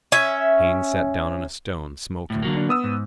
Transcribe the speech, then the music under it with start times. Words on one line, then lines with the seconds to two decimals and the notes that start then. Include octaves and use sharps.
Haines sat down on a stone, smoking.
0.12 C#4 E5
2.30 D2 A2
2.43 D3 F#3 A#3
2.57 D4
2.69 B3 D#6 E6
2.84 G#2